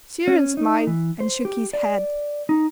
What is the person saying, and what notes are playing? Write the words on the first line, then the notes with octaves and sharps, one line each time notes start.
Cyril smiled, and shook his head.
C#4
D#4
E3
C5
G4
D5
D#4